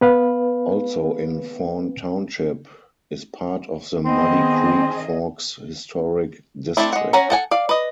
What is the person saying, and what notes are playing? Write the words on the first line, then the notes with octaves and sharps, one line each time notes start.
Also in Fawn Township is part of the Muddy Creek Forks Historic District.
B3 B4 F5
D#3 B3 C4 G#4 D#5
A3 C4 D4 E4
G#3 F#5
C#4 C#5 F#5 G#5 A#5
A4 F#5 G#5
D5 F5
B4 D#5